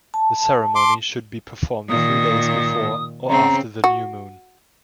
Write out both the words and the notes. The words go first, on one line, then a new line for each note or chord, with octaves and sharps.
The ceremony should be performed three days before or after the new moon.
A5
C6 D6
A#2 D#3 D#6
C#3 C4 A#5
F#4